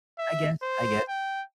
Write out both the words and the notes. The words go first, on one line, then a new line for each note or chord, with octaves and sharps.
I guess, I guess.
E5
C5
G5